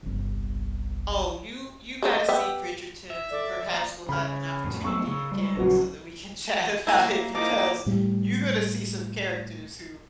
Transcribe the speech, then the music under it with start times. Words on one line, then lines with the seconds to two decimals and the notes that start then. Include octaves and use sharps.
Oh, you you gotta see Bridgertons, and perhaps we'll have an opportunity again so that we can chat about it, because you're gonna see some characters who
0.03 G1 C2
2.03 G#3 A3 D#4
2.29 B3 G4 E5
3.10 E5
3.31 A4 D5
3.68 A#2 F3 D5 A5 A#5
4.09 C#3 B5 F6
4.64 F2 A2
4.84 F#3 A3 B3 C#6 E6
5.07 C#3
5.31 G3 G#3
5.57 A#1 C#3 F#3 F#4 B4
6.87 A#3 E4
7.35 F3 A#3 D#4 E4 D6
7.86 A2 G3